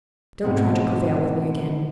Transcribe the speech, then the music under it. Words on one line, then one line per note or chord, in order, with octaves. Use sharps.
Don't try to prevail with me again.
G#2 B2 A3 C4